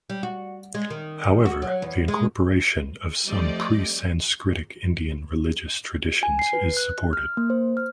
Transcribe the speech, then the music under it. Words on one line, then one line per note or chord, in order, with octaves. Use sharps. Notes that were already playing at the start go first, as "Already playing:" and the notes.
However, the incorporation of some pre-Sanskritic Indian religious traditions is supported.
G3
F#4
G#3
D#3
F#4
F#3
E2
G#3
F3 G3 A3 C4 D5 D#5
G#5
C7
B4
F#6
F6
A#3
C5
F6